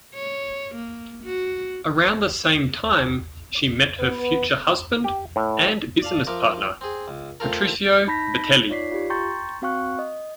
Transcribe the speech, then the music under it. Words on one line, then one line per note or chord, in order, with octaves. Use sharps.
Around the same time she met her future husband and business partner, Patrizio Bertelli.
C#5
A#3
F#4
B3 B4
G4
A2
D5 F5 A5
F3 A#4 E5 D6
C4 G#4
C#2
A3 C4 F4 A4 A#4
D#4 A5 B5 G6 A#6 B6
D#4 F4 C#5 D5 B6 C7
F4 G4
G5 A#5 C6 C#6 G6 A6
C4 F#4 F5 G5 C#6 F#6
D#5